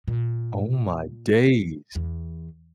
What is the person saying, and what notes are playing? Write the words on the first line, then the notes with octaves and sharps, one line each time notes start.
Oh my days.
A#2
E2